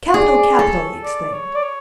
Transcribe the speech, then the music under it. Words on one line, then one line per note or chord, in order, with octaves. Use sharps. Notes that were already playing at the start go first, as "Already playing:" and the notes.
"Capital! capital!" he exclaimed.
G#4 D5
D5
A4 C#5
D5
C#5
D5
C#5